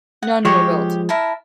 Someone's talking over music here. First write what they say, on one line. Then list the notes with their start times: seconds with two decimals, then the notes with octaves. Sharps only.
None were built.
0.23 F#5
0.45 F3 G#3 G4 C#5 C#6
1.09 E4 A#4 A5